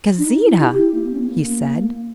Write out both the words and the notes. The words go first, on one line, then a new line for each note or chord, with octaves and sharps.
"Gauzita!" he said.
D4
D#4
E4
G4
E4
A#3
B3
C#4
B3
A#3